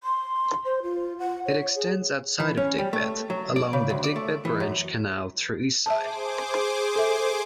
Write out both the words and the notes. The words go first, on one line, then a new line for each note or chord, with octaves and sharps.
It extends outside of Digbeth, along the Digbeth Branch Canal through Eastside.
C6
C5
F4
F#5
C#5
G#4
E3
C#4
G3
A3
F#3
D5
C#3
D2
D5
A3
E3
F#2
G#4 C5 E5 A5 D6
A4 E5